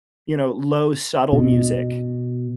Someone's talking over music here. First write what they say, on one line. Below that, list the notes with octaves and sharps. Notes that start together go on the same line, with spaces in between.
you know, low subtle music.
B2